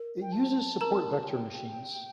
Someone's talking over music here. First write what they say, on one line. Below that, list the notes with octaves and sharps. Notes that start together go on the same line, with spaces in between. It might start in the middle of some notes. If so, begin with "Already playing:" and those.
It uses support vector machines.
Already playing: A#4
G5
A5
A#4 A#5
G5